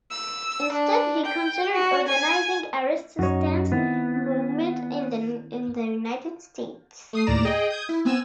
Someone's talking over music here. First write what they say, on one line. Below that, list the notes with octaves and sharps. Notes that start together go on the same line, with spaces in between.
Instead, he considered organising a resistance movement in the United States.
E6
D4
G5
F#4
G#5
F#2 D#4 F#4 C#5
D#3 B3 C4 E4
A3 D#6 C7
D#2 A2 D5 A#5 E7
G#4 D#5 G5
D#6 G6 G#6
E4
B3 C4 G#5 E6 E7